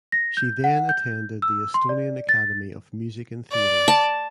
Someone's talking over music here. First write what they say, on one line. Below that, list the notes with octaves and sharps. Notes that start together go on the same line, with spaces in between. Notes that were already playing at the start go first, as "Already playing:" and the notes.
She then attended the Estonian Academy of Music and Theatre.
A#6
G6
F#5
G6
E6
C6
D5
A6
D5
A5